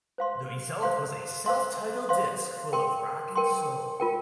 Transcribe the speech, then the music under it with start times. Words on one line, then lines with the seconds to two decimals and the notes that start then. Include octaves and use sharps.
The result was a self-titled disk full of rock and soul.
0.18 C5 F5 C6
0.82 C5 F5 C6
1.46 C5 F5 C6
2.09 C5 F5 C6
2.73 A#4 G5 C6
3.35 A#4 G5 C6
4.00 F4 A#4 G5